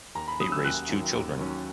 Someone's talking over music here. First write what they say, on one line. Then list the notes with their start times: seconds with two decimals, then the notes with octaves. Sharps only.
They raised two children.
0.15 D#2 A#5
0.28 B5
0.39 D#3 F#3 C#4 D#6
0.52 E6
0.64 D#2 F#6
0.89 D#3 F#3 C#4
1.13 D#2
1.38 D#3 F#3 C#4